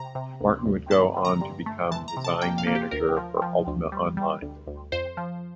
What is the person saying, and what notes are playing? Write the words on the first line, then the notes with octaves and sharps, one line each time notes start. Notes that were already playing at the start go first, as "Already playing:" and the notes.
Martin would go on to become Design Manager for "Ultima Online".
Already playing: C3 A#5
C3
D2
D2
G2 A5
D3
A#5
G2
A3
E3 A5
A#5
C3
A5
A#3 G5
F5
A#3
G4
D2 A#4
F3
F3
D2
G3
G3
D2
D2
F2 C5
F3